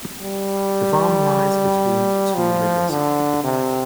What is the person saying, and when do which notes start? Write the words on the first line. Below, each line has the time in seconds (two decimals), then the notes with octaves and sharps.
The farm lies between two rivers.
0.21 G3
2.36 F3
2.90 D3
3.44 C3